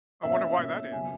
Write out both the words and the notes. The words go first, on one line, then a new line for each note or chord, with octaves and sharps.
I wonder why that is.
B2 A#3 C#4 E5
B2 A#3 C#4
C#3 F#3 B3 G#5